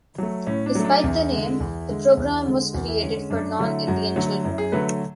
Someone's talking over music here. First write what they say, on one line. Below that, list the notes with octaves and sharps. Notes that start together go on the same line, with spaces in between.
Despite the name, the program was created for non-Indian children.
F#3 A3
A2 C#4
D4
F#3 A3
D4
E2 E4
G#3
D3
E2
D3 G#3
E2
D3 G#3
E2 F#4
E4
D3 G#3 C#4
C#4
F#2 D4
D3 F#3 A3 E4
F#2 F#4
D3 F#3 A3
F#2 E4
G#4
D3 F#3 A3 B4